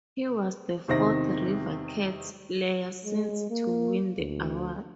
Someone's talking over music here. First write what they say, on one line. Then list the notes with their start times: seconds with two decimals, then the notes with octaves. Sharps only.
He was the fourth River Cats player since to win the award.
0.88 E2 C3 D#3 C4 E5 A#6
3.05 G#3
3.50 A#3
4.19 D2